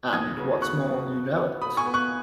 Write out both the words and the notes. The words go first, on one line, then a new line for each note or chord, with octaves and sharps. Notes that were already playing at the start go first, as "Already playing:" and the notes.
And, what's more, you know it.
D#2 D#6 G#6
C#3 F#3 B3
D#2 C#6 F#6
C#3 F#3 B3
B2
B3
B2 B5 D#6
G#5 C#6
B3
C#6 F#6